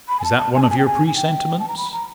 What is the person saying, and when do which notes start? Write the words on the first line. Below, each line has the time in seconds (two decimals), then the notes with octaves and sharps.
"Is that one of your presentiments?"
0.09 B5
0.20 G#5
0.24 A5
0.39 A5
0.55 G#5
0.63 A5
0.70 G#5
0.78 G5
0.86 G#5
1.07 G#5
1.16 G5
1.59 A5
1.68 A#5
1.78 B5
1.93 A#5